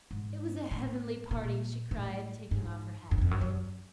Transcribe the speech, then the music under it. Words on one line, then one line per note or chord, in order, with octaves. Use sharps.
"It was a heavenly party," she cried, taking off her hat and cape.
G#2
A2
A#2
A2
G#2
F#2
E2
F2
F#2
F#2